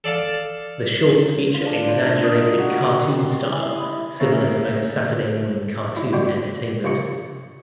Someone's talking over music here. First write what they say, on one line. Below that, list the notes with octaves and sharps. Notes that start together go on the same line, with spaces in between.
The shorts feature exaggerated cartoon style similar to most Saturday morning cartoon entertainment.
A4 D5 F5 A5
F4
D4
F4
A#4
D#5
F#4
G4
C6
E3
D#5
E4
C#3 A#3 B3 E4 C#5
E4
D3 G3 D4 F#4 G4
A#1 C3 A#3 C#6 D#6